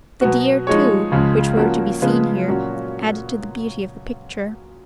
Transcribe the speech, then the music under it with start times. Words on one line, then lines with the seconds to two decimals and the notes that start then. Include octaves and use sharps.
The deer, too, which were to be seen here, added to the beauty of the picture.
0.21 B2 F#3 B3 F#4
0.67 F3 G#3 D#4 G#4 C#5
1.11 C#2 C#3 F3 G#3
1.57 F3 A#3 C#4 F#4
2.02 C#3 F3 G#3 B3
2.48 A#2 F#3 C#4 F#4